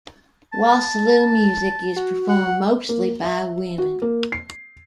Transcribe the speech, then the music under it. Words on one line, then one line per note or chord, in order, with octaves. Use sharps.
Wassoulou music is performed mostly by women.
A5
F#4
F#5
A#3
E5
F#4
A#3
C7